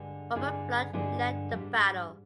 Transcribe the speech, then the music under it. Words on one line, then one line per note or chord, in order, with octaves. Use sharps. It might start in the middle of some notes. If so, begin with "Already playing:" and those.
Robert Fludd led the battle.
Already playing: G2 D3 G#3 D4 G#4
G2 D3 G#3 D4 G#4
G2 D3 G#3 D4 G#4
G#2 G3 D4